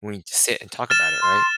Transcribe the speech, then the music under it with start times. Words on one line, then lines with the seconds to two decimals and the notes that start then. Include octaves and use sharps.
we need to sit and talk about it. Right?
0.90 F6 A6 E7
1.22 C6